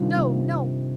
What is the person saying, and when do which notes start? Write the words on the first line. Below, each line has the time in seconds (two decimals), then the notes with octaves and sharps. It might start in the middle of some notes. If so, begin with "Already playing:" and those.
No! no!
Already playing: C3 D#3 G3 D4 F4
0.16 C3